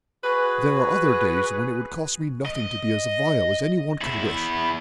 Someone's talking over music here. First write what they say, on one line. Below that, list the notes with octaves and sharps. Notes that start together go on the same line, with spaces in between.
There are other days when it would cost me nothing to be as vile as anyone could wish.
F#4 G#4 B4
D#5
E2 E4